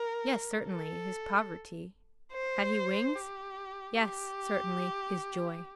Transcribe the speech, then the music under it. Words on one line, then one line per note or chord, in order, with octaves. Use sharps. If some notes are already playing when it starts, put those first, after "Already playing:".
Yes, certainly, his poverty; had he wings? yes, certainly, his joy.
Already playing: A#4
A4
C5
G4
G4